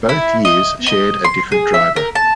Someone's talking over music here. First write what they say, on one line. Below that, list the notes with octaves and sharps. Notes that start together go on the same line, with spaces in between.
Both years shared a different driver.
E4
D#5
D#5
C6
G#4
E5
A#4
A5